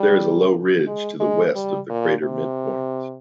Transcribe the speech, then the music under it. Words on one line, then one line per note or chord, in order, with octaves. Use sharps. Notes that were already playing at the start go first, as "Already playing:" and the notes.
There is a low ridge to the west of the crater midpoint.
Already playing: G3
G#3
G#3
G3
A#2
C3